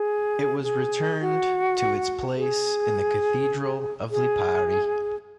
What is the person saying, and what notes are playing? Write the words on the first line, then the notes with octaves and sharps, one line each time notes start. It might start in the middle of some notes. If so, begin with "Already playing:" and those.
It was returned to its place in the Cathedral of Lipari.
Already playing: G#4
G#4
F#4
G#4
G#4